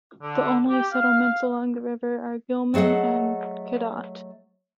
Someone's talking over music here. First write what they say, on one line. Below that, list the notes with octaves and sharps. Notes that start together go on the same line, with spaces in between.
The only settlements along the river are Gilman and Cadott.
D3
G4
F5
F#3 A3 G#4 D#5 F#5